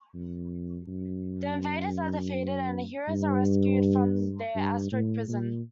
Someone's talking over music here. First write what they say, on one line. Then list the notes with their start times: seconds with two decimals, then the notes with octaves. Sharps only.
The invaders are defeated and the heroes are rescued from their asteroid prison.
0.14 F2
0.88 F#2
3.08 G2
4.55 G2
4.92 A2
5.28 A#2